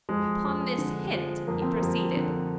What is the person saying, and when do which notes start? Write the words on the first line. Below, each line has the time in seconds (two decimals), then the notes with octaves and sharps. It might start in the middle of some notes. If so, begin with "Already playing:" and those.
Upon this hint he proceeded.
0.09 F2 G#3
0.44 F2
0.78 D3
1.14 F3
1.47 F2 A#3
1.62 C4
1.75 A#3
1.82 F2
2.17 D3